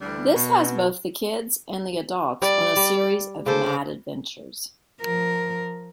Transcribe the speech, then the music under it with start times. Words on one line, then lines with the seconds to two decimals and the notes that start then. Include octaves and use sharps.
This has, both the kids and the adults, on a series of mad adventures.
0.01 D2 D3 E3 G3
0.35 B2
2.42 G3 D5
2.76 G3
3.46 C#3 A4 C5 D6
5.01 F3 A#4